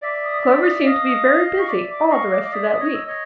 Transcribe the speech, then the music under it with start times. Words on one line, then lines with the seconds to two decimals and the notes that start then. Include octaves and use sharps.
Clover seemed to be very busy all the rest of that week.
0.02 D5 E5 D6
0.24 D#6
0.45 E6
0.64 D#6
0.85 D#5 F5 D#6
1.59 C#6
1.68 D5 E5 D6
1.90 D6
2.10 D#5 F5 C#6
2.32 D6
2.44 D6
2.52 D5 E5 D#6
2.73 D#6
2.80 C#5 D#5
2.94 E6
3.07 C#5 D#5